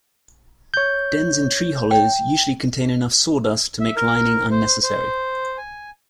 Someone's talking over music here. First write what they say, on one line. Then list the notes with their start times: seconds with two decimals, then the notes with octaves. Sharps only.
Dens in tree hollows usually contain enough sawdust to make lining unnecessary.
0.74 C#5 G6
1.91 G5
3.80 E5
3.96 A#4
4.51 C5
4.83 C5
5.58 G#5